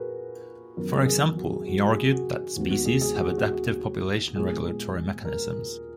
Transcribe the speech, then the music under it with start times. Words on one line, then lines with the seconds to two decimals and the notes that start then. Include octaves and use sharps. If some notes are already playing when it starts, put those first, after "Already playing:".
For example, he argued that species have adaptive population-regulatory mechanisms.
Already playing: A#2 A#3 F#4 G#4 A#4 B4
0.77 F#2 D#3 F#3 B3 A#4
0.93 G#4
1.07 G#4
1.22 G#4
1.37 F#4
1.52 G#4
1.67 F#4
1.89 G#4
2.12 F#4
2.56 D#2 D#3 G#3 B3 F#4
2.71 F#4
2.85 G#4
3.01 G#4
3.16 F#4
3.31 G#4
3.38 F#4
3.52 F#4
4.36 A#2 G#3 B3 G#4
5.25 A#4